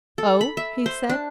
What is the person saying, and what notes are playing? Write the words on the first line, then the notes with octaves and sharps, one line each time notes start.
"Oh!" he said.
A4
B5
E5
C5
D4